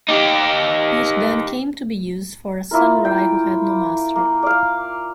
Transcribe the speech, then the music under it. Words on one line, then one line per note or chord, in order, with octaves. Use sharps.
It then came to be used for a samurai who had no master.
D#4 G4
A#3 E4 F4 A#4
G5
A#3
D5 F5